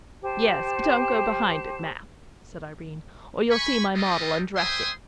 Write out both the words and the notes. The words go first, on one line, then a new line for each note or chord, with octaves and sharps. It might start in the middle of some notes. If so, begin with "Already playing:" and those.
"Yes, but don't go behind it, Mapp," said Irene, "or you'll see my model undressing."
G4 C5 A5
G#5 B5 C#6
G3 A3 C4 F4 G4 D#5
C5 E5 G5 G#5 C6 D#6